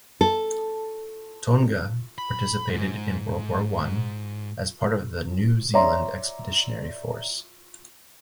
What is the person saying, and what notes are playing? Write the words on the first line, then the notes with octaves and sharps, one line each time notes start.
Tonga participated in World War One, as part of the New Zealand Expeditionary Force.
A4
B5
G#2
C#5 D5 E5 A#5 C6